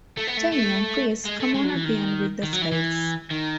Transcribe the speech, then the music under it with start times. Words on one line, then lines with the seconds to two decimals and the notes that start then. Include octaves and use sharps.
Jayne and Chris come on at the end with the spades.
0.17 A3
0.27 B3
0.37 A3
0.52 A3
1.25 G#3
1.40 A3
1.54 G#3
1.64 F#3
1.74 E3
1.85 D#3
2.43 D#3
2.53 F#3
2.62 E3
2.72 E3
3.30 D#3